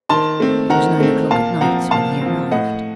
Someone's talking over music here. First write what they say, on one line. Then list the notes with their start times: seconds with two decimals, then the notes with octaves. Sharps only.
It was nine o'clock at night when he arrived.
0.09 D#3 A5 C6
0.40 A3 C4
0.70 D#3 F#5 A#5
1.00 A3 C4
1.31 A#2 F5 A5
1.61 F3 C4 F#5 A#5
1.91 A#2 F5 A5
2.21 F3 C4
2.51 A2 D#5 F#5